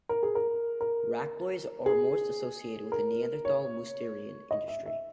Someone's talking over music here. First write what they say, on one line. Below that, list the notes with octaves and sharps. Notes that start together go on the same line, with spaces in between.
Racloirs are most associated with the Neanderthal Mousterian industry.
A#4
G#4
A#4
A#4
G#4
A#4
C#5
D#5
E5
E5